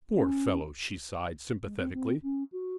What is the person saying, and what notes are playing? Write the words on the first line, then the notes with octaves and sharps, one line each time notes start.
"Poor fellow!" she sighed sympathetically.
C#4
G#3
C4
C4
C#4
F#4